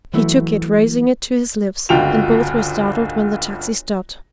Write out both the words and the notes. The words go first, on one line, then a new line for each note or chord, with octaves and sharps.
He took it, raising it to his lips, and both were startled when the taxi stopped.
E3 F#3 A3 E4
G1 C#2 F4 F#4 G5 F7